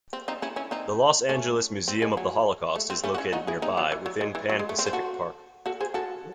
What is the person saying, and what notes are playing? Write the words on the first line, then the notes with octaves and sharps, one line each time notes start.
The Los Angeles Museum of the Holocaust is located nearby, within Pan Pacific Park.
C4
C4 D#4
C#4 E4
C#4 E4
C4 D#4
A3 C#4
C4
G#3
F#3
A3
C4
A3 C#4
F#4
C#4 E4
D#4 F#4
E4 G#4
C4 D#4
F#3
E3
F#3
G#3
E3
F#3
G#3
A3
C4
C5
F#4 A4
F#4 A4
G#4 C5
F#4 A4